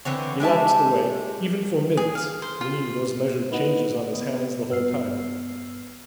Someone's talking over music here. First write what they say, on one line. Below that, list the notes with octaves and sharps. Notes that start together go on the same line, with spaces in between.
He lapsed away, even for minutes, ringing those measured changes on his hands the whole time.
D3 E3 C4 C#5
G#3 G4 E5 A5
G#4
F5
C5
F4
A#3 D#4 E4 B4 D#5 F#5
B3 B4 D#5
G2 B3 E6 F6 C7